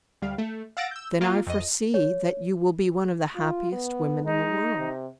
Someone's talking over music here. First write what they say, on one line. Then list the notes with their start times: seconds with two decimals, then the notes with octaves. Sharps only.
"Then I foresee that you will be one of the happiest women in the world."
0.22 D2 G3 F5
0.38 A3
0.77 F5 F#5 E6 A6 A#6 D7
0.91 E6 G6
1.21 A#3 F4
1.47 F2 D#5
1.94 C#5
3.35 F4
3.72 B3
4.24 G#3 D#4
4.77 C3